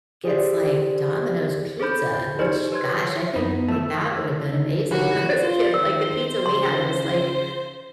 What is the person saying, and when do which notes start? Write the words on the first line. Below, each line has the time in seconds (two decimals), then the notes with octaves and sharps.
gets like Domino's pizza, which, gosh, I think like that would've been amazing when I was a kid. Like, the pizza we had was like
0.24 G4 G#4 C5 D5
1.80 G#4 A4 C5 B5 G6
2.39 D#4 G4 G#4 C5 D5 D#5
2.72 B4 C#5 C6 G#6
3.36 F#2 B3 D#4 B5
3.68 A3 A4 A5 E6
4.49 D3 D4 D#4
4.91 E3 F#3 D#4 F#4 G4 A#4 C#5 B5
5.43 F4 C5
5.74 D#3 E6
6.46 C#3 C6